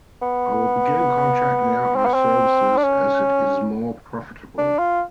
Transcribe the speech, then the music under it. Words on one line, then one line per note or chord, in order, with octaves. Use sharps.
I will begin contracting out my services as it is more profitable.
B3
C4
B3
C4
D4
C#4
D4
F4